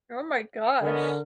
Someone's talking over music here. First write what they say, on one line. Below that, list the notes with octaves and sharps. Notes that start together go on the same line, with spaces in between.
Oh my gosh.
D3 B3 C#4 A#4 D#5